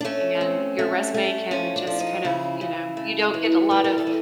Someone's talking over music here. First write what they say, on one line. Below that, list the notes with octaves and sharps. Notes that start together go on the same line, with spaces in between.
and your resume can just kind of, you know you don't get a lot of
D4
A3 C#4
C4
A3
A3
F3 C#4
D4
F3
D#4
C#3 E4
C#3
A3
E3
A3 B4
A#4
A4
E3